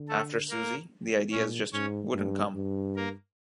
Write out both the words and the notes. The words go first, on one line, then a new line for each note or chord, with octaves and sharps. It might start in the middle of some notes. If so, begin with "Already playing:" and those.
After Suzie, the ideas just wouldn't come.
Already playing: D3
A3 A4
A#3 A#4
A#2 C#4 C#5
G#2 C#4 C#5
G2
G2
A#3 A#4